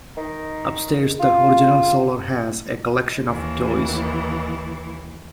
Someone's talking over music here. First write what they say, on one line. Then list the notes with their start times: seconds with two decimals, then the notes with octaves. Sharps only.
Upstairs the original solar has a collection of toys.
0.17 D#3
1.20 F4
3.26 D#2 E3